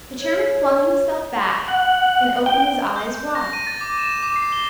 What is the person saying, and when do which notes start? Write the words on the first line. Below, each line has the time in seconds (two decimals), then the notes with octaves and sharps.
The chairman flung himself back and opened his eyes wide.
0.21 C#5
1.68 F#5
2.46 G5
2.96 G6
3.35 A#6
3.53 D#7
3.67 A6
3.81 D6
3.98 E7
4.23 D6
4.36 C7
4.52 G7